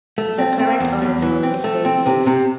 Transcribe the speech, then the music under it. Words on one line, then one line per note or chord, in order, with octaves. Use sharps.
The current Auditor is Dave Yost.
A3
C4
C4
E2
E2
E3
C4
A3
C4
C3
C3